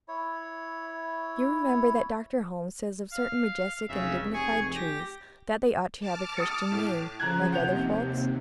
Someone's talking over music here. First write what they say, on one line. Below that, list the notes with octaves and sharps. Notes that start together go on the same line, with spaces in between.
You remember that Dr. Holmes says of certain majestic and dignified trees that they ought to have a Christian name, like other folks?
E4 C#5
F5
F1 C#3 E5
G#4 G#5 C#6
G4 A#6
A5 D6 F6
D#6 A6 C#7
A2
C#3 F3 A#5 F#6 G#6
D#2 C3 F#5 G6 F7